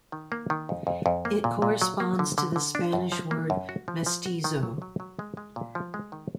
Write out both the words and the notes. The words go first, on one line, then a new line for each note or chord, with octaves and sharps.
It corresponds to the Spanish word "mestizo".
D#3
A#3
D#3
F2
F2
F2
A#3
A#2
A#2
F#3
A#3
D3
D3
D3
D4
F#2
F3
A#3
F#2
F#4
F3
F3
F#4
D#3
F#3
F#3
F#3
G#3
G#3
A#2
F3
G#3
D#3